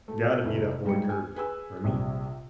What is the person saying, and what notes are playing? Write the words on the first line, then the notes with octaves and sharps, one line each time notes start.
gotta be that boy Kirby, for me.
A3
F1 C3 A3 E4
G#2 G3 G#3 F4 C#7
G#5
G#4 B4 G#5 E6
A#1 C3 G3